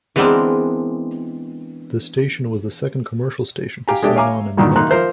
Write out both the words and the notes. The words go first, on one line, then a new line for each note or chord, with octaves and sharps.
The station was the second commercial station to sign-on in the market.
E3 G#3 B3 C4 D4 A#4
G4 F5 G#5 A#5
G#3 D4 G4 A4 E5
C#5 E5 F5 G#5 A#5 D6
G2 A#2 D3 D#3 F#3
D#3 A#3 D#4 E4 C6 F#6
F3 A#4 C5 E5